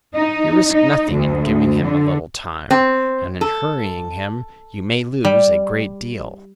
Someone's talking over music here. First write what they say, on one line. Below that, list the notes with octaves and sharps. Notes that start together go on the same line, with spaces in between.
You risk nothing in giving him a little time, and in hurrying him you may lose a great deal.
D#4
D#4
D2
D3
C4
A4
G3